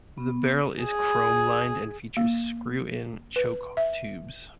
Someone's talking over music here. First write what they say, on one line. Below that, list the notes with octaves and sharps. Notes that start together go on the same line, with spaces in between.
The barrel is chrome lined and features screw-in choke tubes.
B3
G#4
A#3
B4
E5